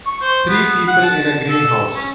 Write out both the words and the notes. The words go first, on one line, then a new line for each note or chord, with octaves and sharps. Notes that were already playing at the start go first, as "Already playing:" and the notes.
Three people in a green house.
C#6
C5
B3
F#5
A5
A4
C#4